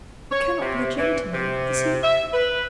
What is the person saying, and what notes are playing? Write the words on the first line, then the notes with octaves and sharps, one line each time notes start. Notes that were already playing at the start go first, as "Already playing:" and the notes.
He cannot be a gentleman--is he?'
C#5
C3
E3
C3
E5
B4